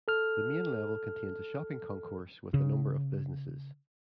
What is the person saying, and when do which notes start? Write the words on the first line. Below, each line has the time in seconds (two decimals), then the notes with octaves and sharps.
The main level contains a shopping concourse with a number of businesses.
0.08 A4 F6
2.54 C#3